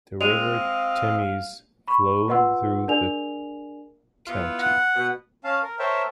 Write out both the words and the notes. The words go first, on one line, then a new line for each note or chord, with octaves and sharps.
The river Temes flowed through the county.
G#3 C4 D#5 F5 D#7 F7
B5 C#6
F4 B4 D#5 F#5 C6 E6
D4 G#4 A#4 D5 G#5 F7
B3 E4 F4
F#5
B2
C#4 F5 A5
A#4
A#4 C5 C#5 E5 G5 A5